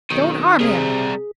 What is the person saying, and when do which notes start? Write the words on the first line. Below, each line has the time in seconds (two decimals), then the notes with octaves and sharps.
"Don't harm him!"
0.10 B1 D#3
0.60 C3 G3 G#4 A#4